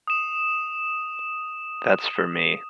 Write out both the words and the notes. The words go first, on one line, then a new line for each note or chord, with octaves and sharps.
That's for me.
D#6 E7